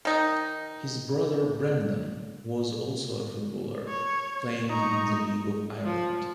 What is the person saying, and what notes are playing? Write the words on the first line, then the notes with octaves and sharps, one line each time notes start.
His brother Brendan was also a footballer, playing in the League of Ireland.
D#3 D#4
C#5
D#4 A#5 C#6
F3